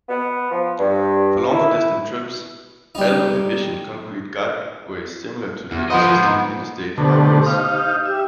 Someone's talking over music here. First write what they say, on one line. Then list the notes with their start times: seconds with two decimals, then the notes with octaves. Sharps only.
For longer distance trips, Alden envisioned concrete guideways similar to the existing interstate highways.
0.08 B3
0.51 F3
0.79 G2
1.51 E4
2.95 G3 D#4
5.71 E2
5.90 F3 B3 C5 D#5
6.17 G#2
6.98 B2 D3 A3 G4 C5
7.46 D#4 F5
7.75 G6
8.06 G4 E5